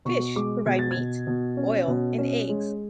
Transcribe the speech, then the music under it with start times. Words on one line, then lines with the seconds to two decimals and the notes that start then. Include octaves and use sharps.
Fish provide meat, oil, and eggs.
0.05 B2 C#6
0.36 G#3 D6
0.66 B2 G#6
0.79 A6
0.91 G#6
0.96 B2
1.27 B2
1.57 C#4
1.87 B2
2.18 C#4
2.49 G#3